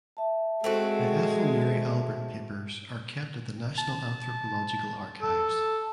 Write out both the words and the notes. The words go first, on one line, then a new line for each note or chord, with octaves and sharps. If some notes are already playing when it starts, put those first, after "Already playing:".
The Ethel Mary Albert Papers are kept at the National Anthropological Archives.
E5 A5
G#3 A3 C4 F#4
A5
A4